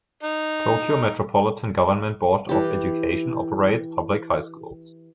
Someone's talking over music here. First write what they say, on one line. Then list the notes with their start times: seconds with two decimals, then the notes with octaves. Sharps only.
Tokyo Metropolitan Government Board of Education operates public high schools.
0.23 D#4
2.49 E3 G4